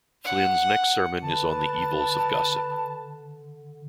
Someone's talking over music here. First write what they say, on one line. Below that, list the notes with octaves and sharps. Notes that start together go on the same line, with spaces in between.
Flynn's next sermon is on the evils of gossip.
F#5
D3 B4 A5